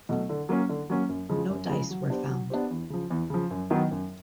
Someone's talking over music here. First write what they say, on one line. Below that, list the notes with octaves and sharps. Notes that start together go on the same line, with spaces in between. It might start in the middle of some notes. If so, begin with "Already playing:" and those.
No dice were found.
B2 F#3 A3
D3
F#3 A#3 C#4
D3
F#3 A#3 C#4
F#2
C#3 F3 G#3
F#2
C#3 F3 G#3
F#3
B3 D4 G4 C5
F#3
B3 D4 G4 C5
E2
C#3 F3
E2
C#3 F3
F#2
D#3 F#3 B3 D#4
F#2